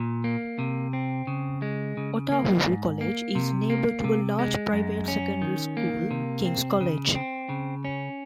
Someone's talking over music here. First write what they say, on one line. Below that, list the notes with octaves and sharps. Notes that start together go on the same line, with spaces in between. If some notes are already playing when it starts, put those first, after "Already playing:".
Otahuhu College is neighbour to a large private secondary school King's College.
Already playing: A#2
A#3
C3
C4
C#3
G#3
C#3
A#3
G#2
A#3
C3
A#3
C3
G#3
F#2
C#4
D#3
A#3
C3
C4
C#3
C4
C#3
C#4